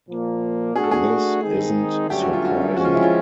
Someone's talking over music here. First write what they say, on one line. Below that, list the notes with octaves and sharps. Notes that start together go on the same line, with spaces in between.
This isn't surprising.
A#2 F3 A#3
A3 D4 F#4 G#4
A4
G#4
D#3 G#3 C4 D#4
G2 D3 F#3 A3 C#4 G4
F#4
F4
F#4
F3 G#3 C#4 F#4
F4
E4
F4